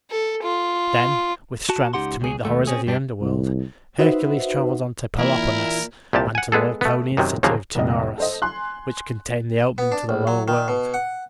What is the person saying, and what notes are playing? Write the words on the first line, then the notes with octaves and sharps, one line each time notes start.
Then, with strength to meet the horrors of the underworld, Hercules traveled on to Peloponnesus, and to the Laconian city of Taenarus, which contained the opening to the lower world.
A4
F4
F#4 A5
C#2 G#3 D#4 G4 F#5 C6
C#2 G#4
D#2 G#2 A3
C4 C#4 G#4
G2 G3 D4
C2
D#4 F#4 B4 C5 E5 F#5
A#2 E3 A#3 E4 A#4
C2 A#2 G4 A5
F#5 G#5
G#3 B3 G#4 A4
A3 B3
F#2 C3 D#3 F#3
D#2 C#3 F3 F#3 A#3
F1 C2 D#5
A4 C5 D#5
G#5 C6 F#6
B3
D4
A#1
F#3
D#3
B2
F#5